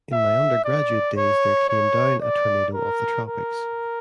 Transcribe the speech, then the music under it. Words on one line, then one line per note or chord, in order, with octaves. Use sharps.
In my undergraduate days there came down a tornado of the tropics.
E5
D5
C#5
C#5
D5
A#4
A#4